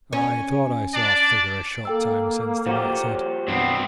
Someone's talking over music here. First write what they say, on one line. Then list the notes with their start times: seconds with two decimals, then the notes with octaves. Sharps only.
"I thought I saw a figure a short time since," the knight said.
0.13 C#4
0.94 D4 D5
1.85 A#3 A4 G5 E6
2.67 F3 F#4 G4
3.48 G2 B3 C4